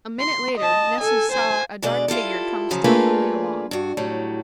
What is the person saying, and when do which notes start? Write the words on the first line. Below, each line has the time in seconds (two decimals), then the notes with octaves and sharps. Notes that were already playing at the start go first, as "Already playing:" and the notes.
A minute later Nessus saw a dark figure come stealthily along.
0.20 C6
0.58 D#5 A5
1.01 A4 G#5
1.32 C5 G#5
1.82 B2 D3 G#3 D5
2.08 E4 F4 G4 A4
2.71 C#3 F3 F#3
2.84 A3 A#3 D4 F4 G#4 B4
3.71 G2 F#4
3.97 A2 F#3 G3